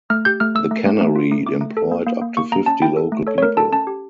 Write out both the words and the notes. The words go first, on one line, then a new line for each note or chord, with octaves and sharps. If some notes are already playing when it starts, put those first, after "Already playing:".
The cannery employed up to fifty local people.
A3 F6
G4 G6
A3 F6
A3 E6
A3
A3
A3
F4
A3
A3 D6
A3
A4
A#3
A#3
A#3
A#3 C#6
A#3 A#5
C#4 A5
E4 G5
A4
A3
A4 C#5
C#5
A3 A#4
A4 A5
C#4 A5
G4